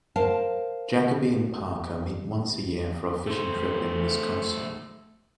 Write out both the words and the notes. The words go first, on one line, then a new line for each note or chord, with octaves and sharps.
Jacoby and Parker meet once a year for a fishing trip in Wisconsin.
A#4 C5 F5 A5
A3 C5